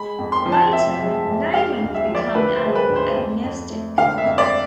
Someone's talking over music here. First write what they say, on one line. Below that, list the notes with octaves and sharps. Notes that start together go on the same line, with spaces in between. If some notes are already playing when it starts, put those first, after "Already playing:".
Later, Neyman would become an agnostic.
Already playing: G#3 B5
F2
C6
F3
A5
C3 E5
G#3
F2
G#3 F5
D2
E5
F3
D5
D3 B4
C5
G#3
B4
D2
C5
F2
F2
A3
D3 F5
E5
F2
D5